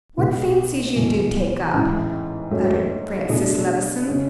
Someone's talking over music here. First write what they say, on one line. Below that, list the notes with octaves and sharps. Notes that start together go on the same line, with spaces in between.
"What fancies you do take up!" uttered Francis Levison.
B1 B2 G#3 B3
E2 B2 A3
A1 G#2 E3
G#2 F#3 A3 C#4
B2 F#3 A3 D4 G#4
C#3 G#3 C#4